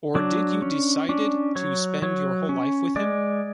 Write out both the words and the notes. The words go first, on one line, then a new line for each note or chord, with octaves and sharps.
Or did you decided to spend your whole life with him?
F#3 D4
C#4
C#4 D4
F#3 C#5
F#3 C#5
C#4
G#3 D5